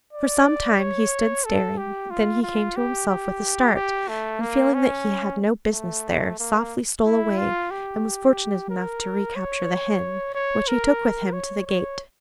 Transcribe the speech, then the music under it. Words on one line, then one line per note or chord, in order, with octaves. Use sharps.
For some time he stood staring; then he came to himself with a start, and feeling that he had no business there, softly stole away, and was fortunate enough to recapture the hen, which he took with him to the gate.
D5
C#5
A4
G4
F4
F4
G4
G4
G4
A3
A#3
C#4
A3
A#3
E4
F4
G4
A#4
C#5
C#5
A#4
C#5
C#5